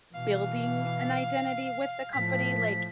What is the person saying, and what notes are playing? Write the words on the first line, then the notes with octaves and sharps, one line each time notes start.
building an identity with the company like
B2 E3 F5
A2 F3 B6